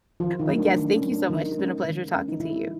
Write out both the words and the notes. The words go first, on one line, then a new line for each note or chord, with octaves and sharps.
but, yes, thank you so much. It's been a pleasure talking to you.
D#3 F3 F4
D#3 D#4
F#3 A3
D4
D#3 D4
C#4
F#3 A3
D4
D#3 D#4
G#3 C#4
D#3
G#3 C#4
D#4
D3 E3 E4